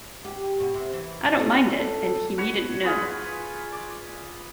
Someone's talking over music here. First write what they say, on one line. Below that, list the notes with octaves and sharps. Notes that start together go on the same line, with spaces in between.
'I don't mind it, and he needn't know.
G4
B2
C3
E3
C3
A4
A4
F#4 B4 C#5
F4 G#4 B4
D5